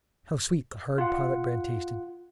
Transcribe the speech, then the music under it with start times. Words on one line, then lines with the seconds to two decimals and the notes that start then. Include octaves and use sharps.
How sweet the hard pilot-bread tasted!
0.98 F4 F#5